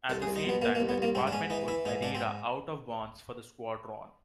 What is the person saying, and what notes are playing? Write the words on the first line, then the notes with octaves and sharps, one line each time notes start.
At the same time the department put Madeira out of bounds for the squadron.
C2 A4
G#4
C2
D#4
B2 B3
B2 A#3
A#3
C2
B3
C2 A#3
G#2 C4
D4
G#2 C#4
E3 D#4
E3 E4
G#2 D#4
G#2 D4
C4